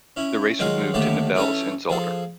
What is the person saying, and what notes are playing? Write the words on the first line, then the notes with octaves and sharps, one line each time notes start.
The race would move to Nivelles and Zolder.
C#4 E4
D#3 F#3 G#3 F4 G#4
D#2 A2 D3 A3 G4 A5
E3 A3 C#4 A4 C#5
F3 G#4 A4